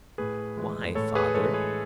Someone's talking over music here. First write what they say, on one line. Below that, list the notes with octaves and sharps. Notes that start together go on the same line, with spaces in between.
"Why, father?"
A2 G#4 B4
E3 G#3
A2 A4 C#5
G#4 B4
E3 G#3 A4 C#5
G#4 B4